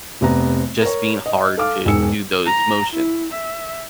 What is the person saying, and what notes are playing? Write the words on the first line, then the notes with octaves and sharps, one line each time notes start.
just being hard to do those motions,
F1 C3 B3 A#5
A#4 C#5
D#5
A4 F5 D6 F6
E1 G#2 G#4 E6 C#7
A#5
E4
E5